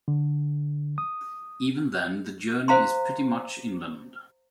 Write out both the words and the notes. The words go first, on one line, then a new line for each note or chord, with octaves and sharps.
Even then the journey is pretty much inland.
D3
D#6
C5 F5 A#5 C6